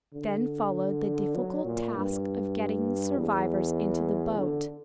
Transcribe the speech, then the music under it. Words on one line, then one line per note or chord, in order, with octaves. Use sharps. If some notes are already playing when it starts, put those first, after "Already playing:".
Then followed the difficult task of getting the survivors into the boat.
D3
F#3
A#2
G2
E2
D3